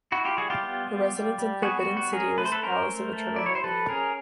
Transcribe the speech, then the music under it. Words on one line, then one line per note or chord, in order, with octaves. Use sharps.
Her residence in Forbidden City was Palace of Eternal Harmony.
E4 F#4
F4 G4
G3 F#4 G#4
F4 G4
B3
G3
G3
G3
B3 F#4 G#4
F#4
G3
F#4
C#4 G#4 A#4
A3 B4
C5
A4 B4
C#4 A#4 C5
A3
A3
E4 D5
C#5
C5
F3 A4 B4
C#4 G#4 A#4